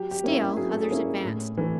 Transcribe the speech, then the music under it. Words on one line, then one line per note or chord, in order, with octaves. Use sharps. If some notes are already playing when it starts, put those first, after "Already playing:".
Still others advanced.
Already playing: F#3 G4
G4
A#3 C#4 E4
F#3 G#4
A4
G#4
A#3 C#4 E4
A2
E3 A3